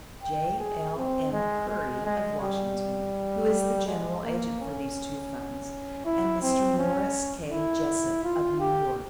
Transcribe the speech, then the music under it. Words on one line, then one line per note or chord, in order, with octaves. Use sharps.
J.L.M. Curry, of Washington, who is the general agent for these two funds, and Mr. Morris K. Jessup, of New York.
G5
G#4
C4
G#3
G#3
G#3
G3
G#3
A#3
C#4
E4
C4
C#4
E4
F4
G4